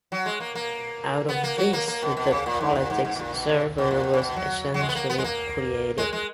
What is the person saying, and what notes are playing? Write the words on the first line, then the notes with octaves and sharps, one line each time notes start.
Out of this the Politics server was essentially created.
F#3
G#3
A#3
A#3
B3
A#3
F#3
A#3
A#3
B2
B2
C#3
A#2
G#2
A#2
G#2
G#2
B2
A#2
B2
C#3
B2
A#2
B2
C#3
B2
F#3
F#3
G#3
B3
A#3
B3
G#3
A#3
G#3
G#3